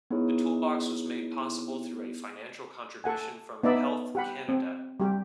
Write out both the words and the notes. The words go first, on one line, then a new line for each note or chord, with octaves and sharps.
The toolbox was made possible through a financial contribution from Health Canada.
B3 D#4 E4 G#4 C#5
A4 F#5 G#5
B3 D#4 D5 E5 B5
G4 F#5 B5
C4
G3 G4